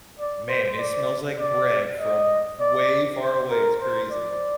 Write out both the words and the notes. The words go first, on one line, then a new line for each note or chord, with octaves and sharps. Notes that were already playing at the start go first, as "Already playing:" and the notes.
man, it smells like bread from f way far away, it's crazy.
D5
C5
D5
D5
D#5
D5
C5
A#4
C5
D5